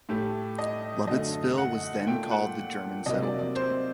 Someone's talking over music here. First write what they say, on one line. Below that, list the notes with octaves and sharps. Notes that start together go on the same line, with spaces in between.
Lovettsville was then called The German Settlement.
A2 A3 G4
D#5
F#2 D3 A3 D#5
F#5
A#2 A3 G5
F#5
C3 F#3 A#3 D#5
D5
D5
C5